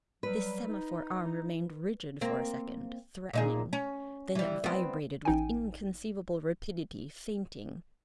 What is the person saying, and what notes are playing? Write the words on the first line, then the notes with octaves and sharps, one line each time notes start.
This semaphore arm remained rigid for a second, threatening; then it vibrated with inconceivable rapidity, feinting.
F#3 G3 B4
D#4
A#3 C4
A#2 D#4 G#4
C#4
E3 G3
B3 C4
A1 D#4 G5 G#5